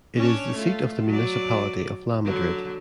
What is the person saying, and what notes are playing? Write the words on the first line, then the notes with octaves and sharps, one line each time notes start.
It is the seat of the municipality of Lamadrid.
C#4 D4 C#5
A3 F4
F#3 D5
D3 F#3